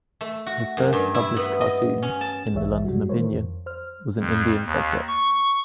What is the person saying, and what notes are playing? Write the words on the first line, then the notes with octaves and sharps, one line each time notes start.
His first published cartoon, in the "London Opinion", was an Indian subject.
A3
F#4
F#2
G2
E4
B3
D#5
C#4
A5
A#1 D#2 E3 G#4 C#5 E5
F#2 G3 G#3 F#4
D#3 E3 A#4 C5 C#5
F2
C5 F6
F2
D#2
C#6